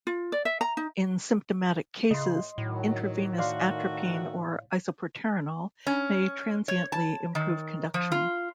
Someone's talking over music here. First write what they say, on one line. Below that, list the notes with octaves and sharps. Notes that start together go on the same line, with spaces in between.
In symptomatic cases, intravenous atropine or isoproterenol may transiently improve conduction.
F4
D5
E5
A#5
D#4
A2 C#3 D#5 C6
A2 D#3 F#3
D#3 A3 F#4 D5 F5 C6
C#4
C#5
A5
D#3
F3
F4